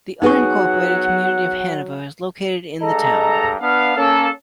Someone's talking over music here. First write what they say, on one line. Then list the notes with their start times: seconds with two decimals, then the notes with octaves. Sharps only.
The unincorporated community of Hanover is located in the town.
0.22 F#3 B3 D#4 F#4 G#4 B4 F#5 C#6
2.82 G2 G#3 A4 D#5 A#5
3.60 B3 D4 F5
3.96 A#3 C#4 A4